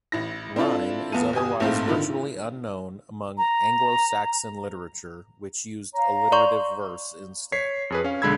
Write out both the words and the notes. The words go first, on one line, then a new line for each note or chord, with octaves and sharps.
Rhyme is otherwise virtually unknown among Anglo-Saxon literature, which used alliterative verse instead.
A1 E4 A#6
C4 D4 E4 F4 A4
E2 B3 F5 A5 D#7
G1 G4 G#5 D#6
A#1 G#2 A3 C4 E4 F5
D3 D#3 E4 F4
A#5
C#5 F5 A#5
D5 C6 C#6
C#5 B6 C7
F2 G#4 B4
C#4 F5
B1 D3 G#3 B5 E6 G#6